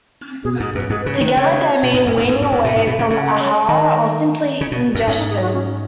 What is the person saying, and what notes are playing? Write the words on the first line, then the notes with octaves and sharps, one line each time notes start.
Together they mean "weaning away from ahara", or simply ingestion.
B2 G#4
G#2 G#4
F#2 B4
G#2 G#4
B4
C#3
C#5
D#3 B4
C#3 C#5
B2
G#2
F#2
G#2
G#2
F#2
G#2
B2
G#2
B2
C#3
C#3
F#5
D#5
C#5
D#5
D#3 D#5
C#3
B2
F#2
G#2 C#4
D#4
G#4
F#4
C#4